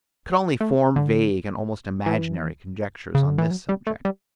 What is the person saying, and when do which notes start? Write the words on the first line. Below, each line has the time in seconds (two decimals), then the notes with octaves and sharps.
I could only form vague, and almost imaginary, conjectures on this subject.
0.61 A3
0.96 D3
2.06 E3
3.15 C#3
3.26 D3
3.38 E3
3.51 F#3
3.69 G3
3.87 A3
4.05 G3